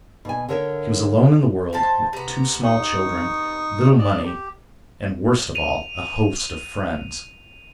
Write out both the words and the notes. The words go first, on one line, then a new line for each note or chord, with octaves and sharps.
She was alone in the world, with two small children, little money, and, worst of all, a host of friends.
B2 G#5
D3 A#4 C#5 D#5 E5
F3 C5 A5
C3 B3 A#5
D#4 C#6 D#6
D5 D#5
G4
D#7 F7